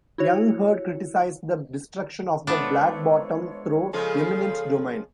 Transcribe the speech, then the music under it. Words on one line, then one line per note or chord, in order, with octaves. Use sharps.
Young had criticized the destruction of the Black Bottom through eminent domain.
E4 F#4 C#5
F3 G#3 A3 B3 D4 C#5
C#3 F3 G#3 G#4 A4 F5